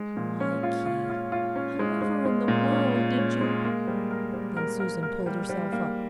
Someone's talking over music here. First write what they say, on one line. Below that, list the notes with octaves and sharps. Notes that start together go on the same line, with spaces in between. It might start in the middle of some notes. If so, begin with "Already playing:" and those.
"Why, Keith, however in the world did you--" Then Susan pulled herself up.
Already playing: G#3
A#2
C#4
F4
F4
F4
F4
C#4
G#3
G#3
G#3
A#2
C#4
F4
C#4
G#3
A#3
G3
A#4
G3
A#4
A#4
A#4
G3
G3
A#3